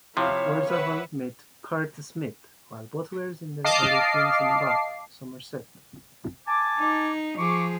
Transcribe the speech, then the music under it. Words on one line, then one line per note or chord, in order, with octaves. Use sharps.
Orzabal met Curt Smith while both were in their early teens in Bath, Somerset.
C3 F3 E4 C#5 F5
B4 E5 F#5
D#5 F5 A5 D6 C7
G#5 A5 D6
D#4
F3 G#4 C#6 D6